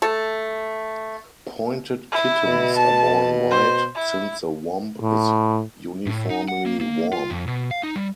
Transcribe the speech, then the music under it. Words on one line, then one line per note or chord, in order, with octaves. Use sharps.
Pointed kittens are born white, since the womb is uniformly warm.
A3 A4
E4
B2
A5
C5
E4
A2
A2
D#4
F#5
A#3
A#3
F4
F2
B2
F5
D#4
G3